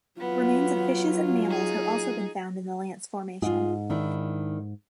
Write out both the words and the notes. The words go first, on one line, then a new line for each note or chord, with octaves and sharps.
Remains of fishes and mammals have also been found in the Lance Formation.
F#3 B3 F4
D#4 G#4
G#2 F4 G#4
D#3 D4 E4